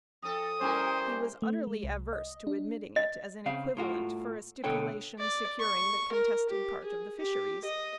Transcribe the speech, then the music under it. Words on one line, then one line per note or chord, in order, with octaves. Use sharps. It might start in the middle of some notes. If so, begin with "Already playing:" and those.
He was utterly averse to admitting it as an equivalent for a stipulation securing the contested part of the fisheries.
F2 A4 D#6
G3 A#3 C#4 E4 G4 A#4 C5
A3
G#3
C2
D#5
D4
D#5
C#3 C4 F5
A2 F4 F#4
B2 D3 A4 C#5 G5
D5
C#6
A#4
G4
G#4
G4
D#5